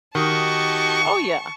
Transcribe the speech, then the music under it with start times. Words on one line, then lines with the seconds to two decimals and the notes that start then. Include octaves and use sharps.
oh yeah!
0.15 D#3 F#4 G4 D#5 A5 C#6